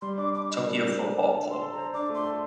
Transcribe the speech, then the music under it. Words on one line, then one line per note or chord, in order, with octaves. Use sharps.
Tokyo football club.
G3 C6
D4 D6
D4 D6
D4 D#5
D4 A#4
G3 A#4
D4 C5
D4 A#4
D4 A5
A4
C6
A4
A#5
C5
D4 D6
A3 C6
A4